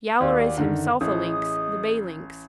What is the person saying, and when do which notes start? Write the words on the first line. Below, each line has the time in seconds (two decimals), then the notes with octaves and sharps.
Yowler is himself a Lynx, the Bay Lynx.
0.20 D#2 F#4 G4 D5
0.57 F#2 D3 D#3
1.01 A1 G#4 D#5 D#6